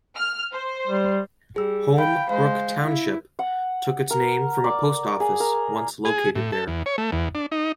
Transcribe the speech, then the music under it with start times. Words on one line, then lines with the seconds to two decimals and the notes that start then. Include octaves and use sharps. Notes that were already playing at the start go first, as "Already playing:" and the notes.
Home Brook Township took its name from a post office once located there.
0.15 F6
0.52 C5
0.87 G3
1.56 G3 G#4 E6
1.98 F5 G5 B5
2.29 G#3 C5 F5
2.81 E4
3.39 F#5
4.10 A#4
4.64 D5
5.20 G#4
5.40 A#4
6.05 G#4
6.35 A2
6.52 A4
6.68 E2
6.86 C#5
6.98 A3
7.12 E2
7.35 D4
7.52 D#4